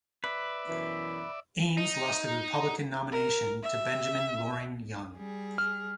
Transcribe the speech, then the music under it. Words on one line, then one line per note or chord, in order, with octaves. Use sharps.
Ames lost the Republican nomination to Benjamin Loring Young.
B4 D5 E5
F#2 B2 E3
D#4
A#4
E5
G3 G#4
F6